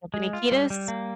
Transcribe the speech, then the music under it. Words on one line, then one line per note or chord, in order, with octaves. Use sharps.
Anthony Kiedis?
G#3
F4
G3
G3
A#3